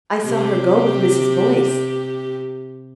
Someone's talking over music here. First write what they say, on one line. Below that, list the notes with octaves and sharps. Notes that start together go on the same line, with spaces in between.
"I saw her go with Mrs. Boyce."
C3 G4